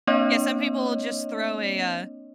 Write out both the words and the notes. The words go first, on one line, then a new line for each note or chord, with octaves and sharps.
Yeah, some people just throw a, uh,
A#3 C4 D4 C#5 D#5